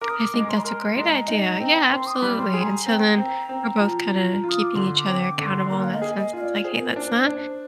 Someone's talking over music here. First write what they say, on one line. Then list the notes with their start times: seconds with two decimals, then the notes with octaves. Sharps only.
I think that's a great idea yeah, absolutely, and so, then we're both kinda keeping each other accountable in that sense. It's like, "Hey, let's not
0.01 A#4 D6
0.10 D#6
0.20 D6
0.34 G#3
0.49 C6
0.57 A#5
0.63 A#4 C6
0.96 G#3 A#5
1.28 D#4
1.43 A#5
1.60 C4
1.91 C4 C6
2.07 D#6
2.15 D6
2.22 G3
2.38 C6
2.54 G#4
2.63 A#5
2.86 C4
3.17 C4
3.49 C4
3.80 F3
4.12 F3
4.44 F4
4.49 D#6
4.62 D6
4.75 D3 C6
4.99 D6
5.07 C4
5.23 D6
5.38 D3
5.46 C6
5.70 A#3 A#5
5.84 F5
5.93 D#5
6.02 G#4
6.18 D#5
6.33 F4 D#5
6.41 D5
6.64 G#4 C5
6.75 A#4
6.86 C5
6.96 D4
7.27 D4